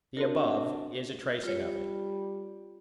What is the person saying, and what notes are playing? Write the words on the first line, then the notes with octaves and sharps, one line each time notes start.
The above is a tracing of it.
C4 D4 F#4 A#4
G3 F4 C#5